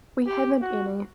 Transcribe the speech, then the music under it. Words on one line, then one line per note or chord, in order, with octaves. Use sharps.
We haven’t any.
G4
F#4